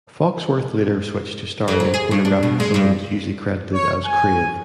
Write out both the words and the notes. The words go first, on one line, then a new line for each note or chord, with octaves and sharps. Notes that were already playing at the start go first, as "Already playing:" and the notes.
Foxworth later switched to starring in pornographic films, usually credited as "Crave".
F2
F#3
G#4
G2
D4
B2
G#3
G2
C#5
G#5